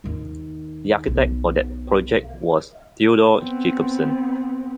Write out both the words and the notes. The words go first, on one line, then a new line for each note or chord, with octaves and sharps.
The architect for that project was Theodore Jacobsen.
D#2 D#3
B1
B3 C4